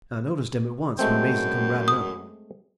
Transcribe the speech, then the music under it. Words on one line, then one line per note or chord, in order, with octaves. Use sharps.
I noticed him at once, when Mason come ridin' up.
F#2 G#3 A3 C4 G5
D#6